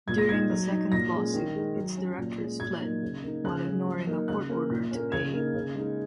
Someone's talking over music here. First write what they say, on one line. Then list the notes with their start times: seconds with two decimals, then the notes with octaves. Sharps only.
During the second lawsuit its directors fled, while ignoring a court order to pay.
0.08 A#2 G#6
0.18 A#6
0.29 G#3 D#4 G#6
0.50 F#3
0.71 D#4
0.92 A#2 A#6
1.13 G#3 C#4
1.34 D#3
1.55 G#3 D#4
1.76 F#3
1.97 C#4
2.18 A#2
2.40 G#3 C#4
2.60 A#2 G#6
2.81 F#3 A#3 D#4
3.02 C#3
3.23 A#3 D#4
3.44 C#3 F#6
3.65 G#3 C#4
3.86 F#3
4.07 A#3 D#4
4.28 C#3 F#6
4.49 A#3 C#4
4.70 A#2
4.91 A#3 C#4
5.12 C#3 G#6
5.34 A#3 D#4
5.54 C#3
5.75 G#3 D#4